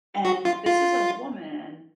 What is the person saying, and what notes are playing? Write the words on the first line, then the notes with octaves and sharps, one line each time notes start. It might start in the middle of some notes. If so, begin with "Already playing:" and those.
and this is a woman
F#4
F4
F4